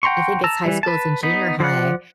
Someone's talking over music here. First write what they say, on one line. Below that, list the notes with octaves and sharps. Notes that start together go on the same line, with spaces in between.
I think it's high schools and junior high,
F#5 G5 A#5 C6 C#6
A5 A#5 E6
E3 G3
B4 A5
B3 D#4 B5
F3 D5 F#5